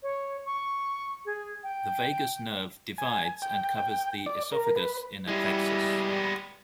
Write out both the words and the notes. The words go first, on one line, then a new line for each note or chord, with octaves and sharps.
The vagus nerve divides and covers the esophagus in a plexus.
C#5
C#6
G#4
G5
G#5
G5
D5
A#4
B4
G3 G#3 B3 E4